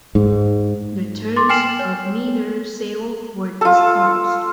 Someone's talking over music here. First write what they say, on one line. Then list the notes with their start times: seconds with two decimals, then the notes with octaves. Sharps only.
The terms of neither sale were disclosed.
0.15 G#2
1.36 C6 D6 A6
1.49 G5 G#5 F6 C7 E7 F#7
1.79 C#5
3.61 F4 A4